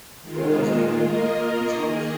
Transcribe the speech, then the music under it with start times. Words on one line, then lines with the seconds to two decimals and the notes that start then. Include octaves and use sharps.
Where was I gonna go, Detroit?
0.22 D#3 G#3 F4
0.98 A#3 F4 A#4 D#5
1.75 D#3 A#3 G#4 D#5